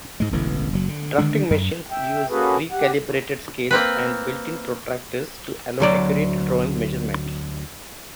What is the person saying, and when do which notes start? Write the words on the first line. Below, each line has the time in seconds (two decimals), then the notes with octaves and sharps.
Drafting machines use pre-calibrated scales and built in protractors to allow accurate drawing measurement.
0.20 G#2 G#3
0.32 E1 A1 D3 E3
0.73 F#1 F#3
0.89 D3
1.18 D3 D#3 G#3 D4
1.50 F#2
1.91 E5 G5
2.30 A#3 C#4 F#4 G#4 A4 B4
2.72 G4 F#5
3.71 A#3 C4 B4
5.80 D2 F#3 D5